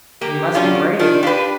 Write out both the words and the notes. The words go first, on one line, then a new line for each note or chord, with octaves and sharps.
We must be brave.
A#3 G4
F#3 C#4 D4 F4
D#3 D4 F4
D4 G4 B4 F5